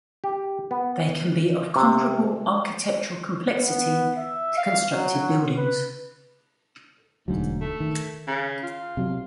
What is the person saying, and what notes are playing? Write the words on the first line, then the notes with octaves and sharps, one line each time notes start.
They can be of comparable architectural complexity to constructed buildings.
G4
B3
C3
B3
E5
F5
F#3
B4
E1 D2 G#2 F#3
A3
D#3
C#3
F4
C3 F#3